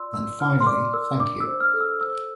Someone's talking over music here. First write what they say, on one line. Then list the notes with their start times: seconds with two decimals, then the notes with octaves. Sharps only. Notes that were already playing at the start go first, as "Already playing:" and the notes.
And finally, thank you.
Already playing: F4 D5 C6 E6
0.14 A#4 E6
0.40 E4 F6
0.61 C6
0.67 D5 D6
0.94 A#4 E6
1.20 D4 D6
1.40 E6
1.47 C5
1.60 F6
1.74 A4
1.81 E6
2.01 C5 E6